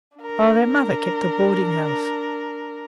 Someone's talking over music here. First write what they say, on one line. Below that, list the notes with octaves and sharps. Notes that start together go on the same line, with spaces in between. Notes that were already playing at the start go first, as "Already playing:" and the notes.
'Oh! their mother kept a boarding-house.
D4 A#4